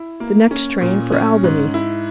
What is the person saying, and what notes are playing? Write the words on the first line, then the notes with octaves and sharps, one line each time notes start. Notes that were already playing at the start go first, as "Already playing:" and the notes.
"The next train for Albany."
Already playing: E4
A#3
C#4
A#2
C#4
G#2
E4